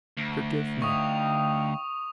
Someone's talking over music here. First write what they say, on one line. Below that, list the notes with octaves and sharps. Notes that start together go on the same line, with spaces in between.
"Forgive me!"
D2
D#4 F5 G5 C#6 D#6 F7